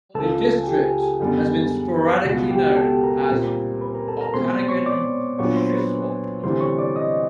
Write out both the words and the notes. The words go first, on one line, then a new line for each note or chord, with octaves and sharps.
The district has been sporadically known as Okanagan-Shuswap.
C#2 C#3 F3 A4 A5
G#5
G4 G5
G#4 G#5
G#4 G#5
F#2 D3 G3 B3
C#2 B2 G#3 B3 F#4 F#5
G4 G5
A4 A5
A#4 A#5
A#2 G3 C4
B4 B5
A#4 A#5
A4 A5
A#4 A#5
B2 G#3 C4 C5 C6
C#5 C#6
D5 D6
A#2 F#3 B3 D4 C#5 C#6
C5 C6
B4 B5
D2 C3 E3 G3 C5 C6
C#5 C#6
D5 D6
D#5 D#6